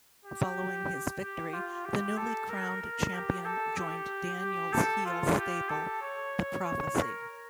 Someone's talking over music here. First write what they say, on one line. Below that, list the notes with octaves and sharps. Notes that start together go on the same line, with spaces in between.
Following his victory, the newly crowned champion joined Daniels' heel stable, The Prophecy.
G4
G4
F4
G4
A4
A#4
A#4
G4
A4
G4
G4
A4
F4
G4
A4
C#5
C#5
A#4